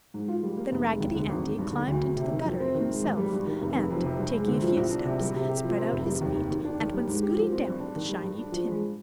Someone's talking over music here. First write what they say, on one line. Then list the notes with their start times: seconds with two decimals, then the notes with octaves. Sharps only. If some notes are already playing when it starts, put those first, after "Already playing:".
Then Raggedy Andy climbed into the gutter himself and, taking a few steps, spread out his feet and went scooting down the shiny tin.
0.14 G#2
0.28 F4
0.43 G3
0.57 A#3
0.72 F1
0.87 G#3
1.00 D#2
1.15 D3
1.29 G#1
1.44 G#1
1.58 G2
1.73 D3
1.87 D2
2.02 D2
2.16 C3
2.31 D#3
2.45 F2
2.60 C4
2.75 D#3
2.89 G#3
3.04 G#1
3.18 G3
3.33 G2
3.47 D#3
3.62 F1
3.76 F1
3.91 F2
4.05 C3
4.19 G2
4.34 G#3
4.48 D3
4.62 F3
4.77 C2
4.91 D4
5.05 C3
5.21 G3
5.34 C3
5.49 G4
5.64 F3
5.78 C4
5.93 F1
6.07 G3
6.21 D#2
6.36 D#3
6.50 D#2
6.65 D4
6.80 D#3
6.94 G3
7.08 G#2
7.23 G4
7.37 F3
7.52 C4
7.66 G2
7.80 D4
7.95 D#3
8.09 G3
8.24 G2
8.38 D4
8.52 F3
8.68 G#3